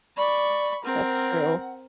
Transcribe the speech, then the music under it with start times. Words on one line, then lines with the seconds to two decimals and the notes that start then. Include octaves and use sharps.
that's true.
0.17 D5 B5 C#6
0.84 C4 A#4 F#5